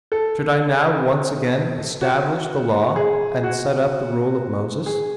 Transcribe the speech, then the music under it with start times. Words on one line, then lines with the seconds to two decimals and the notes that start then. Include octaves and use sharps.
Should I now once again establish the Law, and set up the rule of Moses?
0.12 A4
2.01 F#4
2.96 G#4
3.43 F#4
4.86 G#4